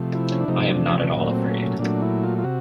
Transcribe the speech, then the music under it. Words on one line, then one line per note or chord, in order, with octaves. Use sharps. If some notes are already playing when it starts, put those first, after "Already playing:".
I am not at all afraid.
Already playing: C3 F3 A3
E4
C#4
D4
C3 F3 A3 D#4
D4
C#4
A#2 F#3 A3 C#4
C4
C#4
C#4
A#2 F#3 A3 D4
E4
F4
F4
C3 F#4